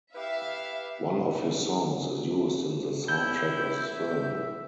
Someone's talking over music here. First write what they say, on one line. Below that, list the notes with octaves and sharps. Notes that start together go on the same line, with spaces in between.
One of his songs is used in the soundtrack of the film.
E4 G4 B4 E5 F5
E4 G6
E5